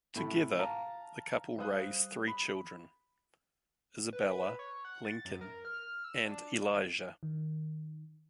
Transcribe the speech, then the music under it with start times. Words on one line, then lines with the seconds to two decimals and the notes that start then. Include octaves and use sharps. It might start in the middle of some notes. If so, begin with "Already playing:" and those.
Together, the couple raise three children: Isabella, Lincoln, and Elijah.
0.16 A2 C3 A4 B5
0.58 F5 A5 A#5
1.58 G3 C5 F5 D#6 F#6
2.28 B5
4.13 B4
4.29 B4
4.59 C#5
4.85 F#5
5.05 A6
5.25 F#2
5.41 A#4
5.65 F6
6.04 E6
6.26 D4
7.23 D#3